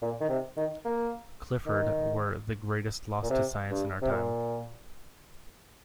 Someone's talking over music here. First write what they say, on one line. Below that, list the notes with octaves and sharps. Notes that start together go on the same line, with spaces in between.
Clifford were "the greatest loss to science in our time".
A#2
D#3
C3
D#3
A#3
D#3
A#2
C3
G2
C3
A#2